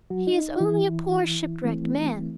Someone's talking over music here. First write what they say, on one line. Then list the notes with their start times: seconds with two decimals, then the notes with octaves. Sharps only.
He is only a poor shipwrecked man.
0.10 F#3 F#4
0.27 D#4
0.56 F4
0.60 E3 E4
1.62 E3 A3 C4